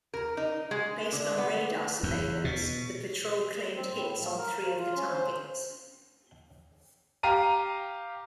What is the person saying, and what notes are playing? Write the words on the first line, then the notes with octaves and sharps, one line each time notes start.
Based on radar surveillance the patrol claimed hits on three of the targets.
A#4
D#4
G#3
D3
B3
E2
B2
C4
A2
F3
A#4
F3
F4
C#4
C5
G4 F5 A#5 D#7